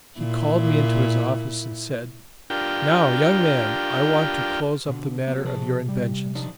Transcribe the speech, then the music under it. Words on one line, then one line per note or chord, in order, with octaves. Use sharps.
He called me into his office, and said: 'Now, young man, I want to close up the matter of your inventions.
A#2 E4
D4 F4 G4 A#4 G5
B2 D3
F#3 B3
C3 F3 G#4 A5
G3
F3 D4 D#4